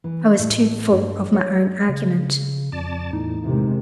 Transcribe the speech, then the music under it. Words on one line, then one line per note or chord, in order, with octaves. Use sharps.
I was too full of my own argument.
E3
D4
A2
G2
C#5
C#3
F2 D5 A5
E2 A2 D#4
C3 D#3 G#3